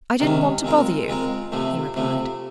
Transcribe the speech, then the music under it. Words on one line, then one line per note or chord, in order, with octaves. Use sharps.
"I didn't want to bother you," he replied.
C3 D#3 G#3 C#4
G#3 C4 F4 A#4
G#3 C4 F4 A#4
C3 F3 A3
C3 F3 A3